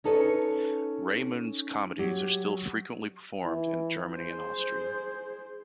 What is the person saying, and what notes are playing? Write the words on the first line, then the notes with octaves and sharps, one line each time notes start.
Raimund's comedies are still frequently performed in Germany and Austria.
C#4 D#4 A4 B4 C#5
F#3 G4
E3
G#4 C5